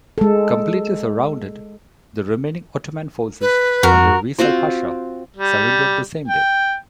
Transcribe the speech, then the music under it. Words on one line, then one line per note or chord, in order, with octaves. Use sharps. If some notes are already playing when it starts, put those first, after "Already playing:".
Completely surrounded, the remaining Ottoman forces under Veissel Pasha surrendered the same day.
G#3 A4
B4
F2 F#4 A#4
C4 F4 F#4 C5
G3
G5